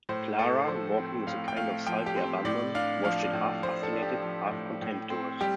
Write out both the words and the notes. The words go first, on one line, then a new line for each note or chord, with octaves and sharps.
Clara, walking with a kind of sulky abandon, watched it half-fascinated, half-contemptuous.
A2 C5
A3 A4
F3 C5
C4
A2 F5
G5
A3 F5
F3 G5
G4
C4
A2 D5
D4 F5
F3 F5
D5
A2
A2 C5
A4
D4
G4
F3
A2
A2
C4
G3 G4